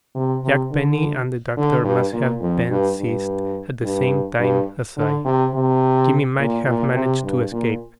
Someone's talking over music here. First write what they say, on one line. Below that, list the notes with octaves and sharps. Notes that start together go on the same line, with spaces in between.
Jack Penny and the doctor must have been seized at the same time as I. Jimmy might have managed to escape.
C3
C3
D3
D3
G2
A#2
F2
G2
G2
G2
G2
D3
C3
C3
A#2
A#2
C3
G2
A#2